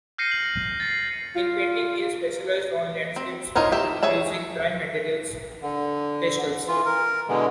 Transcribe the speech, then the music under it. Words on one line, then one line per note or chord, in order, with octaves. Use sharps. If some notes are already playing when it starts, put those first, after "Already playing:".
In painting he specialised on landscapes using dry materials pastels.
F6 G6 A#6 C7 C#7 D#7
F#7
A6 C7
F4
C4
D#4 F4 A4 A#4 C#5
D#3 G4 E5
G#4 C#5 E5 A5
D3
E3 F4
A#4
B2 D3 E3 G#3